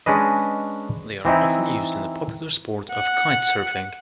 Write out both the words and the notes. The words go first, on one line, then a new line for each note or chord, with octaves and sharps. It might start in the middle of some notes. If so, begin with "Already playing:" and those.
They are often used in the popular sport of kite surfing.
G#3 C#4 D4 B4 D#5
E3 C4 D#4 E4
F#5